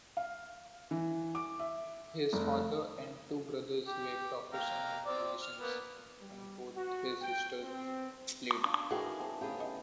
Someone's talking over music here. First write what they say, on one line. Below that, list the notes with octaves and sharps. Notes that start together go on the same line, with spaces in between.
His father and two brothers were professional musicians and both his sisters played.
F5
E3
D6
E5
F1
G4
F5 G5 A#5
C4 D5
F6
A#3 B3
G3
F#4
G5
C4
D4 F5
E3 D#4 F#4 G#4 A#4 F#5 G5
C4 A4
C#3 A3 B3 G4 G#4
D#4